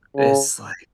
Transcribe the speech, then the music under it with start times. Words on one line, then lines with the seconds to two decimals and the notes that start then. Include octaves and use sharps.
it's like
0.16 C#3